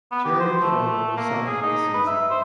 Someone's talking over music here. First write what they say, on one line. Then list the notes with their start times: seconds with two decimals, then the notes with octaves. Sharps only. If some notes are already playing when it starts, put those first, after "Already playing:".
Jeremy Forman sat out the season.
0.11 B3
0.24 G4
0.40 C5
0.62 A3
1.17 A#3
1.47 G#4
1.62 D#4
1.94 B4
2.07 E5
2.30 C5